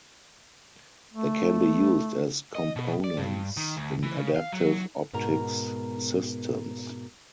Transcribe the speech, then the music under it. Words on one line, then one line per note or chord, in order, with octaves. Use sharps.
They can be used as components in adaptive optics systems.
A3
D#5
B2
D5
G2
D#3
D2
E3
C#3
F5
F#3
G#2 B2 A#4 A#5